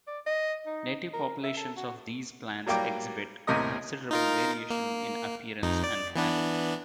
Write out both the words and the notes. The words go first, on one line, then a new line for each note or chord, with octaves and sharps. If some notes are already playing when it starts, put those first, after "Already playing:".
Native populations of these plants exhibit considerable variation in appearance and habit.
D5
D#5
D#4
A#4
E5
A4
F#4
F#3 G3 A#3 G5 D6
D#2 A2 C3 A#4 D#5 D#6
D#4 F4 A#4
A#3
F2 D#4
D5
E3 B3 D4